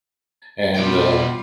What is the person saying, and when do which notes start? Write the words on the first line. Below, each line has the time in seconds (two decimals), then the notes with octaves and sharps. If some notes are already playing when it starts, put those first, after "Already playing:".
And, uh
0.75 B2 G3 F4 G5